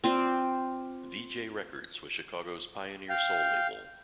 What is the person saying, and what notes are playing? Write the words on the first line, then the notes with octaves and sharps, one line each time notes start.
Vee-Jay Records was Chicago's pioneer soul label.
C4 F4 C5 D5
F5 G5